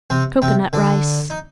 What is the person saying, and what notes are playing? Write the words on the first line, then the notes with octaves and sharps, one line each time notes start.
Cocoanut Rice.
C3 C4
C3 C4
D3 D4
D#4